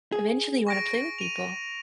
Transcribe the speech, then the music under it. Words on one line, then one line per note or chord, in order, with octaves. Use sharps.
Eventually, you wanna play with people.
G#4
C#6 A#6 D7
D#7 F7